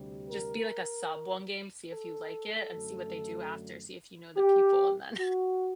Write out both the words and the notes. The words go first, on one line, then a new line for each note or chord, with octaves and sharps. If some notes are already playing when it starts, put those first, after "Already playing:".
just be, like, a sub one game, see if you like it, and see what they do after, see if you know the people, and then
Already playing: D2 C3 G3
A#4
A4
F#2 D3 F#3 A3
G4
F#4